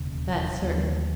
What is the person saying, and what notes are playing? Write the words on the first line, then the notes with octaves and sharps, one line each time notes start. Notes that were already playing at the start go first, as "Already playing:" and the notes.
"That's certain."
Already playing: E1 D#2 C#3
D#2 D3 F#3 A3